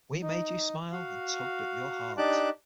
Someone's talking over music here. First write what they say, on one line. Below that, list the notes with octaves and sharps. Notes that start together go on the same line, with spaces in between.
We made you smile and tugged at your heart.
D#4
F#4 F5
D4 D#4 G4 A5 D6 F#6